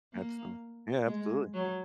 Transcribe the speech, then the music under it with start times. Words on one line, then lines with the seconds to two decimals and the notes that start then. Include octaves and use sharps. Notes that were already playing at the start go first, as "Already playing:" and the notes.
Absolu Yeah, absolutely.
0.13 A#3
1.06 G#3
1.54 F#3